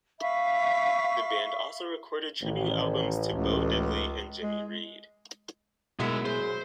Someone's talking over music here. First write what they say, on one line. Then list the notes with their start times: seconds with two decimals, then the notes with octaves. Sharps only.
The band also recorded tribute albums to Bo Diddley and Jimmy Reed.
0.21 E5 F5 B5 C#6
2.42 A1 D#3
3.27 C#2
4.43 G#3
6.00 F#2 B2 F#3 G#3 A#3 D#4 E4 E5
6.25 G#3 C5